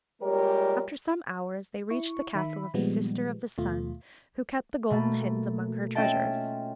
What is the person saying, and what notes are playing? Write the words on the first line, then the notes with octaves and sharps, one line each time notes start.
After some hours they reached the castle of the Sister of the Sun, who kept the golden hens among her treasures.
A#2 G3 G#3 G4 A#4 C#5
E4 C#6
D#3 E5 B5
A#2 D#3 F3 G3 G#3 B3
D#2 B2 A3 F4
B2 A3 A#3
C#4 F4 D#5 E5 G5 A5